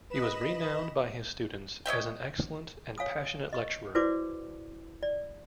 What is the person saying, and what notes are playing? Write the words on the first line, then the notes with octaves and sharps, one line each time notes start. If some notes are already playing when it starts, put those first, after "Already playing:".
He was renowned by his students as an excellent and passionate lecturer.
B4 D#5 B5 E7
C#5 D#5 E5 G5
C#5 F5 G#5 D#6
D#5 C#6
E4 F#4 B4 C5 D5 D6
D5